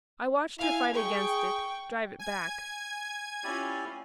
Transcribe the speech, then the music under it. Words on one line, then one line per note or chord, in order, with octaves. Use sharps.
I watched her fight against it, drive it back.
E4 F5 G#5
G#4 G5 C#6
G#5 G#6
C#4 E4 F4 G4 D5